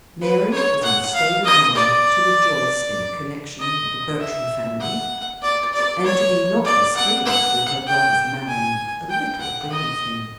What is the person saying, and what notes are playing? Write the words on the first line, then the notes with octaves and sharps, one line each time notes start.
Mary was in a state of mind to rejoice in a connexion with the Bertram family, and to be not displeased with her brother's marrying a little beneath him.
B4
C#5
F#5
F5
D#5
D5
D#5
E5
F#5
D5
D5
C#5
D5
F#5
F#5
G5
G#5
G5
F#5
D#5